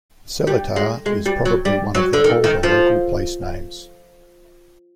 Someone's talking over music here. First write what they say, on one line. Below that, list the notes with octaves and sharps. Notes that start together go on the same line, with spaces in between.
Seletar is probably one of the older local place names.
G3
G#3
G#3
G3
F#3
G3
F#3
D3
D#3
D#3
F3